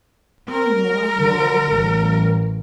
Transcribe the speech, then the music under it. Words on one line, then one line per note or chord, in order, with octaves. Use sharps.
"I know, I know," nodded the man.
A#4
D3
A1